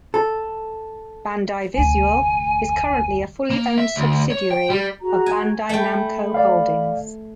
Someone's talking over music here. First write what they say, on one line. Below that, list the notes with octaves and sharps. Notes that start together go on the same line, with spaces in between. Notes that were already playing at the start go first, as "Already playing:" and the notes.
Bandai Visual is currently a fully owned subsidiary of Bandai Namco Holdings.
A4
F1 D2 G#5
A#3
E5
D2
C#5
G5
G3
F#4 G#4 A#5
G#5
A3 G5 B5
D5 F5